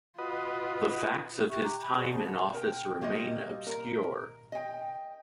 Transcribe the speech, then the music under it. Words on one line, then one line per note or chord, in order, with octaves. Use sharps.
The facts of his time in office remain obscure.
F4 F#4 B4 D#5
G4 E5 C#6 F#6
G5 A#5 D6
G#5 B5 G6
F#4 G#4 C5 D5
G#4 C5 A5
F#5
A#4 G5
G3 A#3 F4 F#4 D#5
A#4 A#5
D#5 G5